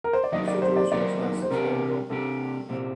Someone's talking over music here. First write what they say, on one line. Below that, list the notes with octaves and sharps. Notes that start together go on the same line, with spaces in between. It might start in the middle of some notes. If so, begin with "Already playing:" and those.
The situation is not sustainable.
A#4
C5
D5
D#2 D#3 F#3 A#3 D#4 D#5
D5
C5
D5
D#2 D#3 F#3 A#3 D#4 D5
C5
C3 G3 D4 G4 A#4
C3 G3 D4 G4 A4
C2 A#2 G3 C4